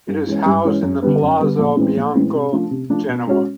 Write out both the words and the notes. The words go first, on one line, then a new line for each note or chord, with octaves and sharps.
It is housed in the Palazzo Bianco, Genoa.
G2
E3 G#3 C#4
G2
E3 G#3 C#4
F#2
D3 G3 B3
F#2
D3 G3 B3
A#1
A2 E3 G#3 C4
A#1
A2 E3 G#3 C4
C3
F3 A3 D4
C3
F3 A3 D4
B2
G#3 C#4 F#4